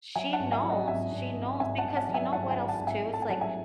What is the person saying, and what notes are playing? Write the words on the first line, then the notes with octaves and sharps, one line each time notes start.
she knows, she knows because you know what else too, it's, like,
F#3 E5 G#5
F#5 A5
G#1
E5 G#5
F#3
D#5 F#5
G#1 E5 G#5
G#1
G#1
G#1 E5 G#5
F#5 A5
G#1
F#5 A5
F#3
E5 G#5
G#1 F#5 A5
E5 G#5
G#1
F#5 A5
G#1
E5 G#5
A2
A5
G#5
F#3 F#5 A5
E5 G#5